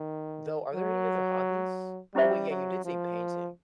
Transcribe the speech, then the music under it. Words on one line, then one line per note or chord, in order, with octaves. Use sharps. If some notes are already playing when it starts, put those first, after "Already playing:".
though are there any other hobbies? Oh, wait, yeah, you did say painting.
Already playing: D#3
F#3
G3 C#4 E4 G4 C5 E5
F#3
F3